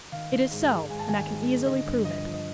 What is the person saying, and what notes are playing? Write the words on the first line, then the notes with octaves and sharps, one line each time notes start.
It is so, and I can easily prove it.
D#3 F5
D#3
G#2
G#3
G#2 G#5
A5
D#3 G#5
G#2
G#3
D3 D#5
G2
F3 D#5
F3
D#5